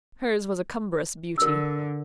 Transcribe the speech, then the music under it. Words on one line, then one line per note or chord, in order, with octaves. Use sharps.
Hers was a cumbrous beauty.
D3 A#4 E6